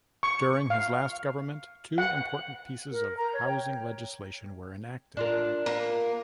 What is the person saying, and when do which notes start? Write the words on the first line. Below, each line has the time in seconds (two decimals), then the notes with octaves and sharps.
During his last government, two important pieces of housing legislation were enacted.
0.23 C#6
0.70 F5
1.98 F#5
2.92 A#4
3.17 A#5
3.33 C#5
3.48 G5
5.17 D4 F4 A#4
5.66 A#3